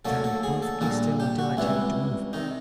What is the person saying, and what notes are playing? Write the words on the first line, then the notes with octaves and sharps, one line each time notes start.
"Stand perfectly still until I tell you to move."
D2 D3 F#3 A#3 A4
A4
G#4
A4
A#1 A#2 G3 A#3 A4
G4
F#4
C#2 C3 E3 G3 E4
C3 D#3 D#4